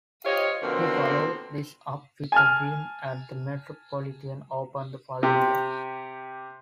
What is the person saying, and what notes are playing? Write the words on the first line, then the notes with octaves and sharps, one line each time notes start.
He followed this up with a win at the Metropolitan Open the following year.
F4 G4 C5 C#5 D#5 F5
B2 D3 F3 A#3 C4
G#5 A5 F6
C3 G4